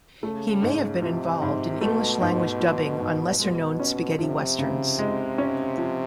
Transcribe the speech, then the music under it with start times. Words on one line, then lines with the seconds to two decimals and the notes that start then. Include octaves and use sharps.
He may have been involved in English-language dubbing on lesser-known spaghetti westerns.
0.22 C#3 A3
0.62 G#2
1.02 C3 F3
1.42 G#2
1.81 B2 A3
2.21 G#2
2.60 F3
3.00 G#2
3.40 B2 G#3
3.80 C#4
4.19 C3 F3
4.59 C#3
4.99 G#3
5.38 C#4
5.78 F3